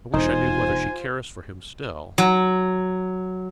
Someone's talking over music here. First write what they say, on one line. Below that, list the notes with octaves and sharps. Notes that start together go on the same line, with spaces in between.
I wish I knew whether she cares for him still.
E1 F2 D#4 F4 C5 G#5
F#3